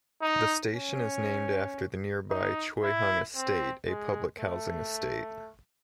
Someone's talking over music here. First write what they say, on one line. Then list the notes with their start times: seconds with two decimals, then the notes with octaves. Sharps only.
The station is named after the nearby Choi Hung Estate, a public housing estate.
0.22 D#4
0.75 C#4
2.31 D#4
2.83 E4
3.36 C4
3.88 G#3
4.40 A3